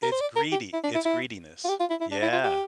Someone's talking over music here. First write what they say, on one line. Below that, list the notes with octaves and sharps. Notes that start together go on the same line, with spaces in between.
It's greedy, it's greediness. Yeah.
A#4
C5
D5
A#4
G4
E4
D4
E4
E4
F4
G4
F4
E4
E4
D4
E4
F4
G4